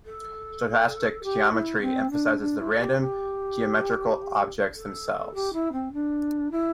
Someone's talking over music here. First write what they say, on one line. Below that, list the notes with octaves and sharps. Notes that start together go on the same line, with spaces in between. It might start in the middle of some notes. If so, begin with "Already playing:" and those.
Stochastic geometry emphasises the random geometrical objects themselves.
A4
G4
E4
C4
D4
D4
E4
A4
G4
G4
A4
G4
E4
C4
D4
E4